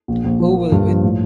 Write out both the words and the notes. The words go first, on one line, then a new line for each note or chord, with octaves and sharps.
Who will win?
A#1
A#1
F3
A#3
G2
F3
A2